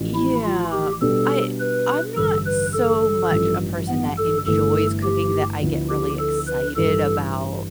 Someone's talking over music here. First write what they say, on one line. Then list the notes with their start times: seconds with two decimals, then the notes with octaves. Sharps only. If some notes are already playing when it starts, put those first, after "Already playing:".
Yeah. I I'm not so much a person that enjoys cooking that I get really excited about,
Already playing: A1 A2 F3
0.15 E4
0.45 F4
0.72 G4
1.01 B2 G3 D4 G4 A4
1.60 B4
2.17 A1 G2 D3 A4
2.46 B4
2.73 A4
3.31 A1 G2 F3
3.88 B3
4.18 A4
4.46 G1 G2 E3 A3 A4
5.03 G4
5.61 D2 D3 F3 B3 E4
5.90 G4
6.19 A4
6.47 B4
6.76 A1 G2 E3 A4